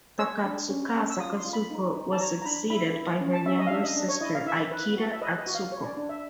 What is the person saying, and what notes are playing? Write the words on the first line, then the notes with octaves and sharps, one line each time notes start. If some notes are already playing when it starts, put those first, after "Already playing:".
Takatsukasa Kazuko was succeeded by her younger sister, Ikeda Atsuko.
C#5 E6
D4
C#4
C#4
E6
F4 D#6
C6
F4
B5
D#4
D#4
A5
C#5 A#5
A#5
D4 B5
E4 B5
E4
C#4
A5
C#4 E5
D#5
F5
D4 E5
D#5
D4
C#5
E4 D#5
F5
E4 E5
B4
F#4
E5
B4 D#5
D#5
F#4
F5
C#5
D5
D4
E5